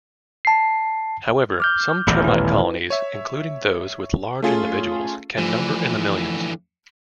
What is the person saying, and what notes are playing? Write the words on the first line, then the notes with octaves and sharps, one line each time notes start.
However, some termite colonies, including those with large individuals, can number in the millions.
A5 C7
D6 F6 G6
D#1 A1 E2
E4 B4
C#5 E5
A3 C#4 F4 G#4
D3 E3 F3 A3